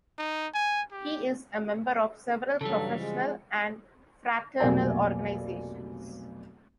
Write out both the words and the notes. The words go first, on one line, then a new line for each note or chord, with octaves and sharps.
He is a member of several professional and fraternal organizations.
D#4
G#5
G4
G2 C#3 E3 F#3 G3 A4
F3 G#3
F1 B1 A#3 D5 G#5